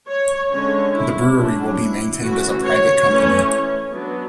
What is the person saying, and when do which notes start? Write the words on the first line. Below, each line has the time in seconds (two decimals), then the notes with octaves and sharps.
The brewery will be maintained as a private company.
0.09 C#5
0.51 D3 G#3 C#4 C#5
0.94 E4
1.37 F#3 C#4 D4
1.79 E4
2.22 E3 A3 C#4 F#4
2.65 C#5
3.08 E3 A3 C#4
3.93 F#3 B3 D4